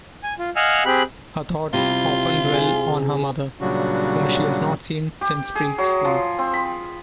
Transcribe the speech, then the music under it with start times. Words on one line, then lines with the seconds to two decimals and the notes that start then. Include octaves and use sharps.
Her thoughts often dwell on her mother, whom she has not seen since pre-school.
0.23 G#5
0.39 F4
0.56 D#5 F5 F#5 G#5 E6 F6
0.86 C4 G4 G#4 B5 F#6
1.73 C3 G3 E4 F4
2.54 G#4
3.61 A#2 C#3 F#3 G3 D4 F#4
5.21 G4
5.55 G#4
5.78 F#3
6.05 F3
6.38 C4
6.53 B5